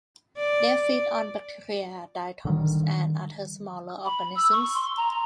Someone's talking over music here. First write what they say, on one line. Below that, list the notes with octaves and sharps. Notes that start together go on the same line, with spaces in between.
They feed on bacteria, diatoms, and other smaller organisms.
D5
D3 D#3 G3
B5
E6
C#6
C6
A#5